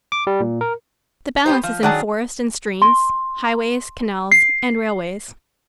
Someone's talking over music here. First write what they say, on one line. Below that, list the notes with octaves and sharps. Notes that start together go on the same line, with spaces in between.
The balance is in forests and streams, highways, canals, and railways.
D6
G3
A#2
A#4
B3 G4 C5
F3
D#3 F#3 G#4 D5 F#5 A5
C6
C7